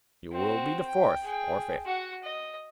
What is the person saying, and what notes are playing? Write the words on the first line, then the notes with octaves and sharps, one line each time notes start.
You will be the fourth or fifth.
C4 F#4
G5
G#4 G5
F#4 F#5
D#5